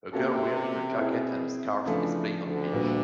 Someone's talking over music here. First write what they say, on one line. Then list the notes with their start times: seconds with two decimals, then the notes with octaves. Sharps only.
A girl wearing a jacket and scarf is playing on the beach.
0.13 C3 A#3 C#4 F#4 A4
0.99 B2 C4 E4 G#4
1.86 E2 C#3 E3 F3 A3 D4
2.43 D2 D3
2.73 A#2 G3 B3 D4 F#4